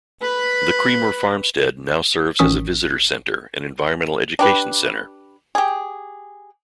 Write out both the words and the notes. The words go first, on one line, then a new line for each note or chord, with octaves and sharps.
The Creamer farmstead now serves as a visitor center and environmental education center.
B4 B5
A1 D#3 C#4 C#6 D#6 B6
D4 G4 B4
G4 G#4